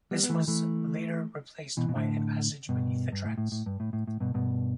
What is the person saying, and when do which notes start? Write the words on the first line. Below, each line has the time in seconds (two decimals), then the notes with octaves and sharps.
This was later replaced by a passage beneath the tracks.
0.11 G3 B3
0.23 B3
0.30 E3 A3
0.48 E3 A3
1.77 B2 E3
1.89 B2
1.95 A2 D3
2.69 G2 B2
3.12 G2
3.25 A2
3.38 A2
3.52 A2
3.66 G2
3.80 A2
3.93 A2
4.07 A2
4.20 G2 B2
4.34 G2 B2